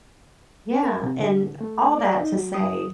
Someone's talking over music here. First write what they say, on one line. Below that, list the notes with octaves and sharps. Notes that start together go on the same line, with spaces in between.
Yeah, and all that to say
A#4
C3
D3
A3
D5
D#4
F#3
D#6